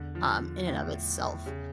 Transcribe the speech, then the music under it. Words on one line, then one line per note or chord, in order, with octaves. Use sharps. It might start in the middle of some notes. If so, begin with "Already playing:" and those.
um, in and of itself.
Already playing: E2 D3
F3
A2
C#3